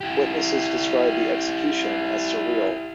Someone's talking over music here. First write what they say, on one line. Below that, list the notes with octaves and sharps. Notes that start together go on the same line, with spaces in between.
Witnesses described the execution as surreal.
E4 G4